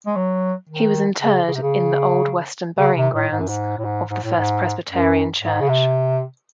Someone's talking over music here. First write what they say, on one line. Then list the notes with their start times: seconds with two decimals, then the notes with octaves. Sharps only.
He was interred in the old Western Burying Grounds of the First Presbyterian Church.
0.06 G#3
0.16 F#3
0.69 D#3
1.21 C#3
1.48 C#3
1.55 C3
1.62 C#3
2.79 C#3
2.96 C3
3.14 A2
3.31 G#2
3.40 F#2
3.48 G#2
3.78 A2
3.84 G#2
4.10 G#2
4.23 A2
4.36 G#2
4.89 F#2
5.42 G#2
5.61 C#3
5.68 C3